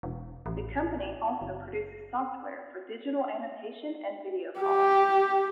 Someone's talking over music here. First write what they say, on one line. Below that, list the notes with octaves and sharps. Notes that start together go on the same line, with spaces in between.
The company also produces software for digital annotation and video calling.
E1
A1
F#1
G4